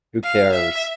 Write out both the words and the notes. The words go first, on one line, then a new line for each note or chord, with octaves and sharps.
Who cares?
F5
E5